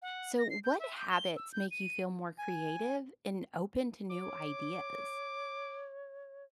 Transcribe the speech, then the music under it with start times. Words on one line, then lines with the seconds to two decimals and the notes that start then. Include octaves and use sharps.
So, what habits make you feel more creative and open to new ideas?
0.02 F#5
0.38 A#6
0.50 C7
0.64 G6
0.80 E5
0.97 G6
1.10 G7
1.37 E6
1.53 G6
1.71 D#7
2.38 G#5
4.10 C#5 D6